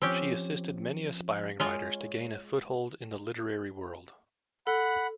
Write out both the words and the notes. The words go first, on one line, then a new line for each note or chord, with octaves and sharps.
She assisted many aspiring writers to gain a foothold in the literary world.
F3 C4 C#4 G4
G#3 F4 C#5
A4 F#5 B5